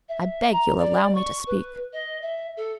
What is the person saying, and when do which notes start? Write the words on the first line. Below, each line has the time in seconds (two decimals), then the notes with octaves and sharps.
I beg you'll allow me to speak.
0.08 E5
0.52 A#5
0.78 D5
1.15 C#6
1.46 B4
1.93 D#5
2.22 E5
2.57 A4